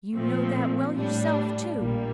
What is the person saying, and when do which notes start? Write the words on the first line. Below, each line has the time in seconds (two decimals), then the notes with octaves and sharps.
You know that well yourself, too.
0.13 A#2 F3 A3 C4
0.95 A2 G3 D4
1.77 A#1 A#2 G3 A#3